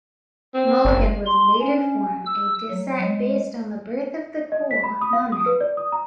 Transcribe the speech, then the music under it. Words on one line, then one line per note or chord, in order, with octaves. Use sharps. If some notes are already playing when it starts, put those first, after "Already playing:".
Mulligan would later form a decet based on the "Birth of the Cool" nonet.
C4
F#1
C6
C#4
E6
F#3
G#3
D#5
B6
B5
D#6
F5
D#6
B4
D5
D#6
A#5